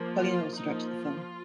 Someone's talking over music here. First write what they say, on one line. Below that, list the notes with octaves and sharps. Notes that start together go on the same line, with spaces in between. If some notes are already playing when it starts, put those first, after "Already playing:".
Carlino also directed the film.
Already playing: F3 A#3
F4
F3 A#3 D#4
F4